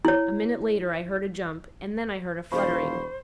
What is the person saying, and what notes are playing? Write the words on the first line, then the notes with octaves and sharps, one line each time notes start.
A minute later I heard a jump, and then I heard a fluttering.
E4 C#5
E1 F3 C5 B5 C#6